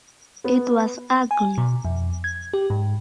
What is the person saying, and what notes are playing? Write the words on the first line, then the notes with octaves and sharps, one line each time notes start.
It was ugly.
B3
G#5
B2
F2
G#6
G4
G#2